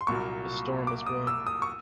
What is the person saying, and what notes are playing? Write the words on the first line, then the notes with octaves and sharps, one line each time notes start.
A storm is brewing.
C6
C2 A#2 F#3 A#3 C#6
D6
D#6
E6
D#6
C#6